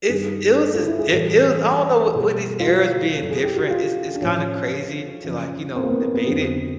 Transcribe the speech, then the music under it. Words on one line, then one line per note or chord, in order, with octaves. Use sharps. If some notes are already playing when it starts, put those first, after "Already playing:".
It's it was just di it was I don't know, w with these eras being different, it's it's kinda crazy to, like, you know, debate it.
G2 D#3 G3 G#4
A4
F4
E4
G#4
A2 E3 G3 A4
A4
B2 G#4
G3
F4
F#4
F#2 C#3 F#3 A4
G#4
G4
F#4
F4
D4
A2 F3 C#4
F#2 C#3 F3
C4
A#3
B3
A#3
B3
F2 D3 F#3 C4